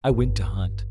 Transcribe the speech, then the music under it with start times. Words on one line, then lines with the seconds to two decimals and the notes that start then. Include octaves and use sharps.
I went to hunt.
0.11 G1